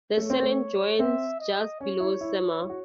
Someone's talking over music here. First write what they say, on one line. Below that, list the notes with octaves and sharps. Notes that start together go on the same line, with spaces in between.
The Cernant joins just below Semur.
A3 C#5
C4
A3
C4 E5
D#5
C#4 C#5
E4
E4
E4
F#4